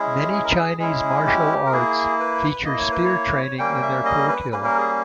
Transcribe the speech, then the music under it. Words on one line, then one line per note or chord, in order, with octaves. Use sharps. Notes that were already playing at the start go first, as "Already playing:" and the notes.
Many Chinese martial arts feature spear training in their curriculum.
Already playing: G#3 C#4 E4 G#4
G#4
A#4
G#4
G#3 C#4 E4 G#4
G4
A#4
A#3 E4 G#4
B4
A#3 E4 D#5
C#5
B4
C#5
G3 A#3 C#4 G5
G5
E5
D#5
B4
G3 A#3 C#4 B4
A#4
G#4